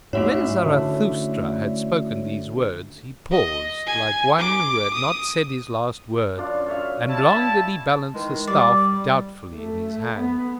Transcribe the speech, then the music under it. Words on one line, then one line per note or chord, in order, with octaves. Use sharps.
When Zarathustra had spoken these words, he paused, like one who had not said his last word; and long did he balance the staff doubtfully in his hand.
G#2 A3 C#4 E4 F#4 C#5 E5
D3
D#5
G#5
D6
D#6
F#2 D4 F4
C#5 E5 F5
G3 E4 A5
D#3 E3 G#3
G3 D5
A3
B3